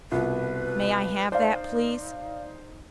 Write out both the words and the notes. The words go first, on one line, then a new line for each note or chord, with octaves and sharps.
"May I have that please?"
C2 B2 F4 B4
D#4 C5 D5 F5